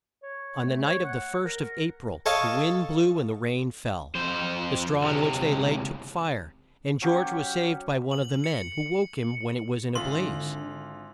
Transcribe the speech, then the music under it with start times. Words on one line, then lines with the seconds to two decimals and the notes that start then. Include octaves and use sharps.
On the night of the first of A-pril the wind blew and the rain fell. The straw on which they lay took fire, and George was saved by one of the men, who woke him when it was in a blaze.
0.23 C#5
0.66 A3
0.86 C#5
1.04 F#5
1.45 A#4
2.26 A4 C#5 D#5 F5 A5
4.15 F2 C5
5.02 C#2 C3
7.02 F#3 C#4 G4
8.11 F#7
8.44 C#7
9.95 G#1 D3 F4 C6